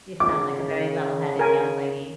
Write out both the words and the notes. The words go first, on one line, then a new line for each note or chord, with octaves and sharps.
You sound like a very level-headed young lady.
C#3 D6
A#4 G#5